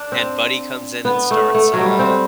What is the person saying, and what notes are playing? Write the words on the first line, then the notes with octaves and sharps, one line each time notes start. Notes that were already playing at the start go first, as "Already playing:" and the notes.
and Buddy comes in and starts, uh
Already playing: D4
C4
B3
A3
A3
F#3
G3
C4